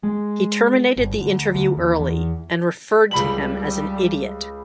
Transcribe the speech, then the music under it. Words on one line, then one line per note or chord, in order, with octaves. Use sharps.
He terminated the interview early and referred to him as an idiot.
G#3
G1
D2
D2
D#2
E2
C#2 G3 B5 F#7